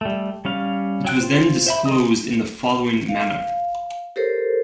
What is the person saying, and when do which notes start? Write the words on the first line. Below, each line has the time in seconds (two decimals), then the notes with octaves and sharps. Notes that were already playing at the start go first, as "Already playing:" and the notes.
It was then disclosed in the following manner.
0.01 G3 A3
0.45 G3 C#4 F5
1.05 F#3 G5 F#6
1.21 F4 C5
1.66 C5 E5 B5
1.86 D#3 D#5 D#6
3.09 F5
4.16 G4 A4 A#4 C5 C#5